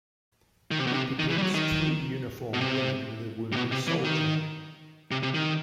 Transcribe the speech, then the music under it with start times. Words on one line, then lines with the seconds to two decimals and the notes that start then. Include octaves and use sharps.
It depicts three uniformed women with a wounded soldier.
0.71 D#3
0.78 C3
0.87 B2
0.93 C3
1.19 D#3
1.30 E3
1.38 G3
1.42 F#3
1.54 D#3
2.54 B2
2.61 C3
3.52 C3
3.56 B2
3.72 C3
3.87 E3
4.04 D#3
5.11 C3
5.23 C3
5.34 D#3